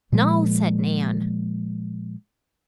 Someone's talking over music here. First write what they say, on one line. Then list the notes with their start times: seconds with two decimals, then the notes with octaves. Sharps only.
"No," said Nan.
0.12 A#2 F3 G#3 A#3